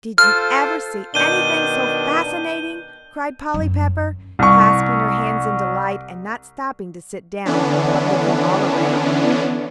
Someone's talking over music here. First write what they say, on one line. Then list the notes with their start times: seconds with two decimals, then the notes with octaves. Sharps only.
"Did you ever see anything so fascinating?" cried Polly Pepper, clasping her hands in delight, and not stopping to sit down, but looking all around.
0.18 F4 A4 C5 F6
1.14 B2 D#3 D4 G6 D#7 G7
3.54 F#2
4.39 C2 C#6
7.46 D3 E3 B3 C#4 D4